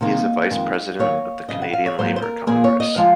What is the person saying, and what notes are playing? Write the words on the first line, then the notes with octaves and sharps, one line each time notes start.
He is a vice-president of the Canadian Labour Congress.
C3 D#3 A#3 D#4
F2 D#3 G#3
D#2 D#3 F#3 A#3 C#5
F#2 C#3 F3 D#5
F#5
F5
C#5
G#2 F#3 A#3 C5
C5
A#4
A#2 F3 A#3 G#4
C#5
D#5
F3 G#3 F5